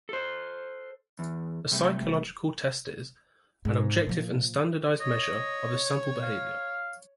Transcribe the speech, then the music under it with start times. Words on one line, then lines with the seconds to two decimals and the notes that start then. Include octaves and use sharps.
A psychological test is "an objective and standardized measure of a sample of behavior".
0.09 A4 C5
1.19 E2
1.72 C3 G3 A3
3.65 G#2
4.06 A#2 F3
5.00 C#5 D#5
6.22 F5